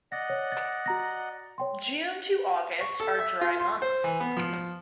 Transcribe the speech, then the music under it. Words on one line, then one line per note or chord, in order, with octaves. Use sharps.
June to August are dry months.
D5 D#5 F#5 A#6
C#5
A6
F#4 A#5 A#6
C#5 G5 C6
C#6
A4
E5
F4
C6
C5
E3
B3
F3